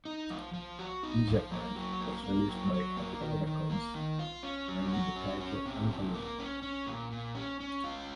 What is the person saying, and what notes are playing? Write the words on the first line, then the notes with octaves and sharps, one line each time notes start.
In Japan it was released by Capitol Records under the title "Anthology".
D#4
F3
F3
F#4
D#4
F3
A#3
F#3
A#3
A#3
F#3
F#3
A#3
D#3
D#3
A#3
D#3
F4
C#4
F#3
F#4
C#4
C#4
C3
F3
A#3
C#4
C#4
A#2
A#2
C#4
C#4
F4